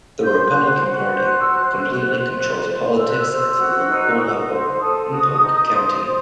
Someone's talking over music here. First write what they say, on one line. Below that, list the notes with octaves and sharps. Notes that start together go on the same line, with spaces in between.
The Republican Party completely controls politics at the local level in Polk County.
C5 G6
F#6
F#4
F#4
F#6
C5 G6
F#6
E6
F#4
F#6
C5
C5
C5
C5
C5 E6
F#6
E6
C5
F#4
D#4
D#4
C5
A4 D#6
F#4
D#4
C5
C5